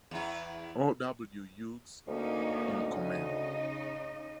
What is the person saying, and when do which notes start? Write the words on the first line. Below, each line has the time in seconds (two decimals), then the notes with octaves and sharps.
O. W. Hughes in command.
0.11 E2 E4
2.08 D2 A#3 C#4 D#4
2.91 C#3 D#4 D#5